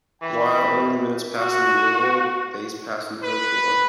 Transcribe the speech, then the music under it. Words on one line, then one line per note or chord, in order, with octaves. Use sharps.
While only minutes pass in the real world, days pass in the virtual one.
E3 G5 B5
F#4
B4